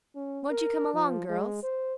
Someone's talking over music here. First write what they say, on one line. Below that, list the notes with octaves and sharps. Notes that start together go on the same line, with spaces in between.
"Won't you come along, girls?"
C#4
A#4
F3
G#3
C5